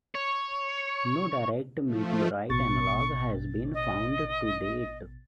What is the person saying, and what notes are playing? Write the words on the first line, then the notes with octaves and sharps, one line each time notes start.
No direct meteorite analog has been found to date.
C#5
F3 A3
A1 B2 C#6 A6
D#5